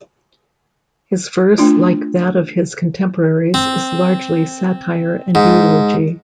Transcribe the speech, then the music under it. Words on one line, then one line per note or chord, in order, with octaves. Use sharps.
His verse, like that of his contemporaries, is largely satire and eulogy.
A3 D4 F4
C4
G#2